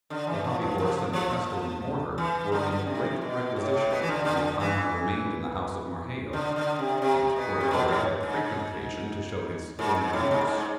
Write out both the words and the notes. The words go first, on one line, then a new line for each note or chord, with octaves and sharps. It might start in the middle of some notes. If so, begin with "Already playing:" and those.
The hobby-horse and the pestle and mortar were in great requisition during the time I remained in the house of Marheyo, and Kory-Kory had frequent occasion to show his skill in their use.
D3
E3
F3
F3
F3
F3
E3
D3
C3
B2
A2
A2
B2
E3
D3
D3
E3
D3
D3
C3
C3
B2
C3
B2
A2
G#2
G#2
G#2
A2
G#2
A2
G#2